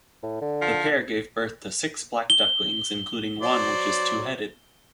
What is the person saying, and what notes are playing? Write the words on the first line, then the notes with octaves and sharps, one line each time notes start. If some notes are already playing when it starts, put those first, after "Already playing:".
The pair gave birth to six black ducklings including one which is two-headed.
A2
D3
F3
G7
F#3 C5 D5